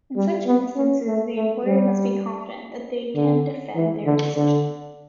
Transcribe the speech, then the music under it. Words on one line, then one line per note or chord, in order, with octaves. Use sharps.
In such instances, the employer must be confident that they can defend their decision.
G3
B3
C#4
A3
A3
G3
D3
E3
D3
D3